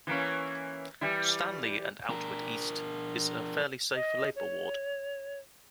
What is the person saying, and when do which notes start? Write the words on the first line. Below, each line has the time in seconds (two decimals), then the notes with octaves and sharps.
Stanley and Outwood East is a fairly safe Labour ward.
0.07 E3 A#3 C#4
1.01 E3 G3 E4
2.10 D4 A#4
3.95 D#5
4.36 C#5